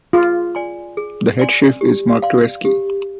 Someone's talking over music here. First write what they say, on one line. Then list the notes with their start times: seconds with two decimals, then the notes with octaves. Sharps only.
The head chef is Mark Twersky.
0.13 F4 G#4
0.55 D5 G#5 C6
0.97 G#4
1.39 D5 G#5 C6
1.81 G4
2.22 D5 F5 C6
2.65 G4